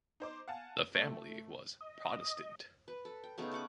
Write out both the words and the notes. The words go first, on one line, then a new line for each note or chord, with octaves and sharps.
The family was Protestant.
D#4 C5 D6
F5 F#5 G#5 A5
A3
D#5
B4
A4
G5
C#3 A3 B3 D#4
C#4 F#5 D6